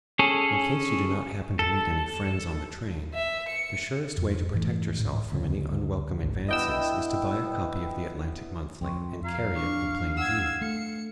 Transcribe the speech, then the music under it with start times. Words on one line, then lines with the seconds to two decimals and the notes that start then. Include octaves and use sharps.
In case you do not happen to meet any friends on the train, the surest way to protect yourself from any unwelcome advances is to buy a copy of the Atlantic Monthly and carry it, in plain view.
0.19 C#4 G#4 A4
1.59 A4
3.14 E5
3.48 C#7
4.17 F2
4.54 G#2 E3 A3
4.98 A1 G#2
5.32 D2 C#3 G3 C#4
6.23 G#1 D2
6.49 B3 D4 E4 D#5 G5 E6
8.81 F2 G5 C6 C#6
9.24 F5 A#5 G#6
9.56 D4 C#6
10.17 F#5 E6 G#6
10.61 A3 C#7